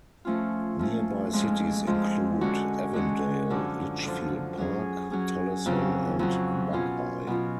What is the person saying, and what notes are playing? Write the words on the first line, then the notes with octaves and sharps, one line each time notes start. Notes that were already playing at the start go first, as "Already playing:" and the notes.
Nearby cities include Avondale, Litchfield Park, Tolleson and Buckeye.
F3 A3 C#4 F4
F3 A3 C#4 F4
F2 F3 G#3
F2 F3 G#3
D3 G#3 C#4 F#4
D3 G#3 C#4 F#4
F#2 D3 F3
F#2 D3 F3
F#3 C#4 G#4
F#3 C#4 G#4
F2 C#3 F#3
F2 C#3 F#3
B2 F#3 C#4 F4
B2 F#3 C#4 F4